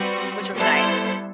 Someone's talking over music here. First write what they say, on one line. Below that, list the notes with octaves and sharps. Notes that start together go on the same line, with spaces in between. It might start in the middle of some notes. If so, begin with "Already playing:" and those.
which was nice.
Already playing: G3 C4 F#4 B4
G3 B3 E4 A4 C5